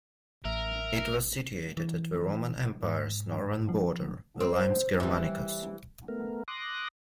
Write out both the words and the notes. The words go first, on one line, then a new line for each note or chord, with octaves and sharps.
It was situated at the Roman Empire's northern border, the Limes Germanicus.
A1 A#4 E5
E3
G#2
F3
C4
E3 G3
A3 B3 A#4
C6 D6 D#6 F#6 A#6